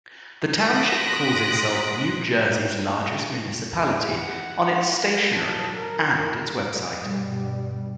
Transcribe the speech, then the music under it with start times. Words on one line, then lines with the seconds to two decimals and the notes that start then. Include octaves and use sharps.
The township calls itself "New Jersey's Largest Municipality" on its stationery and its website.
0.60 C6 D#6 F#6 A#6 B6 D7
4.08 F#5
5.31 F#3 A5
5.76 A#4
6.98 G2 B2 G3